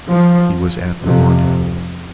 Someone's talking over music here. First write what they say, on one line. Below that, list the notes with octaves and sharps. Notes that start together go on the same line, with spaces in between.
He was at the rendezvous.
F3
F2 C3